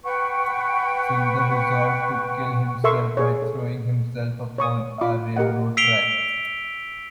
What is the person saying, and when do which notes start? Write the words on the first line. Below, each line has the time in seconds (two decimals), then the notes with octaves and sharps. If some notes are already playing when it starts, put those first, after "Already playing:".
Sundar resolved to kill himself by throwing himself upon a railroad track.
0.04 B4 F#5 G5 C#6
2.84 A4 A#4 E5 C6 C#6 E6
3.15 G#4 C#5 E5
3.42 A4
4.58 C#5 C#6 D#6
5.01 F4 B5 D6
5.36 G4 A#4 D#5 F#5
5.77 E6 B6 C7 D7 F7 G7